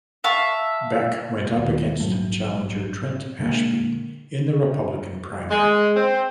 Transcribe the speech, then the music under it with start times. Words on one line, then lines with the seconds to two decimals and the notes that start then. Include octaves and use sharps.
Beck went up against challenger Trent Ashby in the Republican primary.
0.24 E5 F5 A5 C#6
1.58 D#2
2.00 A#1 G#2 F#3 A3
3.39 A#2 D3 G#3 A#3
5.51 G#3
5.95 C4